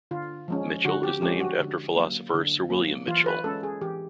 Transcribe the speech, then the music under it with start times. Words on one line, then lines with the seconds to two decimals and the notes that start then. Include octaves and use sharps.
Mitchell is named after philosopher Sir William Mitchell.
0.11 D3 F4
0.48 F3 G#3 C#4
0.85 D3 F#4
1.03 G4
1.22 F3 G#3 C#4 G4
1.40 F#4
1.60 D3
1.96 F#3 A#3
2.34 D3
2.70 F#3 A#3
3.07 E3 F4
3.26 B4
3.44 G#3 C#4 A4
3.63 G#4
3.81 E3 G4